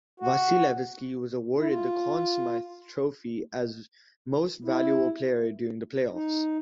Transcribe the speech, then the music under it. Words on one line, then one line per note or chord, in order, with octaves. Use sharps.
Vasilevskiy was awarded the Conn Smythe Trophy as most valuable player during the playoffs.
F#4
E4
F4
E4
D#4